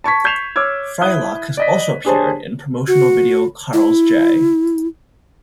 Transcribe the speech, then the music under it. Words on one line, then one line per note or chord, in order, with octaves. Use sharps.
Frylock has also appeared in promotional video Carl's J.
A5 C#6 G#6 B6
C#6 G6 G#6 C7 E7 F7
C#5 D6 E6 F6 G#6
E4 D#6 F#6 G7
D5 D#5 B6
D4 G4 G#4 C5 C#5 A5
F#4
E4